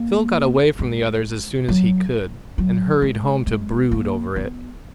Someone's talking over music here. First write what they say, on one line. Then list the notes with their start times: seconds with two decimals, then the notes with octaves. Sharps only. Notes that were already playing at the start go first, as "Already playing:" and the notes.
Phil got away from the others as soon as he could, and hurried home to brood over it.
Already playing: A#3
0.79 G#3
1.69 F#3
2.58 F#3
3.02 G#3
3.47 G#3
3.91 A#3
4.36 B3